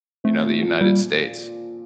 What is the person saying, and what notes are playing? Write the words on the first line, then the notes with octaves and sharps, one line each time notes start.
you know, t he United States.
A3 C4
A#2
F3
A#2 G3